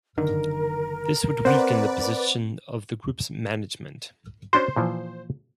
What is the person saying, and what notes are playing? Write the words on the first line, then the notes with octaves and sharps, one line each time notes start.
This would weaken the position of the group's management.
F#1 D3 D#3 A#4
C4 B4 C5 D5 F#5
C#4 D4 F#4 C5
A#2 E3 F3